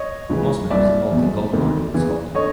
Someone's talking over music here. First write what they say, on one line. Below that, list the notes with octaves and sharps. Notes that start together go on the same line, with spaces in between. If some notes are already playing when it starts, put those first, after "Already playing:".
Mosman was involved in gold mining in Scotland.
Already playing: C#5 D#5
C#2 C#3 E3
C2 A#2 D5 E5
E2 B2
D2 C3 D#3
E2 C#3 E3
D3 C#5 D#5